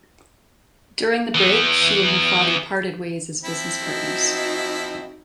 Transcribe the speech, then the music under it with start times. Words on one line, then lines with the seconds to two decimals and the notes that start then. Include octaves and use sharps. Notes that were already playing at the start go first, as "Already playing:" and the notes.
During the break she and her father parted ways as business partners.
1.35 E3 B3
3.43 F3 C4 E4
3.84 D#4 F#4